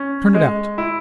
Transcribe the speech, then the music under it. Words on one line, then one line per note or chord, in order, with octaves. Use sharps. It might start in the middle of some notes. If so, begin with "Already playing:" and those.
"Turn it out!"
Already playing: C#4
G#3
E4